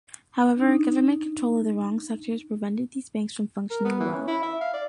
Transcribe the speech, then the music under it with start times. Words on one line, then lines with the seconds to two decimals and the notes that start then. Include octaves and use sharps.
However, government control of the wrong sectors prevented these banks from functioning well.
0.57 D4 D#4
3.70 A#4
3.85 B3
4.00 E3
4.14 C#4
4.28 E4
4.43 E5
4.61 F5
4.74 D5